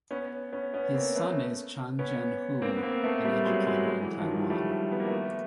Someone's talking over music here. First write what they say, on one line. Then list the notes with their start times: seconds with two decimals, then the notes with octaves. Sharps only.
His son is Chang Jen-Hu, an educator in Taiwan.
0.11 B3 C#4
0.52 B3 C#4
0.74 B3 C#4
0.94 A#3 C4
1.15 A3 B3
1.99 B3 C#4
2.62 A#3 C4
2.77 B3
2.83 A#3 C4
3.04 A3 B3
3.25 G3 A3
3.45 F#3 G#3
3.66 F#3 G#3
3.87 F#3 G#3
4.03 E3 F#3
4.19 D#3 F3
4.34 F3 G3
4.50 G3 A3
4.71 G3 A3
4.92 B3
5.00 A#3
5.08 A3 B3